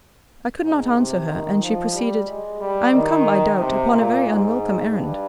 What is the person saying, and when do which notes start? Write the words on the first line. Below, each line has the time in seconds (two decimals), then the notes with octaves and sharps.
I could not answer her, and she proceeded--I am come, I doubt, upon a very unwelcome errand.
0.62 G#2
0.95 C3
1.28 D#3
1.61 F3
1.93 G3
2.26 G#3
2.60 G3
2.93 D#3
3.59 C3
3.91 A#2
4.25 G#2
4.91 G2